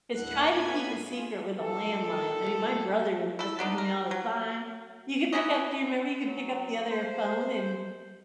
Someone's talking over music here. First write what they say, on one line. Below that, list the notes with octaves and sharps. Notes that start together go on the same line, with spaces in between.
Just try to keep a secret with a landline, I mean, my brother was listening to me all the time. You could pick up do you remember you could pick up the other phone and
D#2 A2 D4 E4 F#5 F#6
A2 B3 G#5 B5 G#6
F4 G#4
A#1 A#2 G4 A4
E4 A4
B3 D4 D#4
A#4
F#3
E3 C#4 G#4 D#5
F#3
C5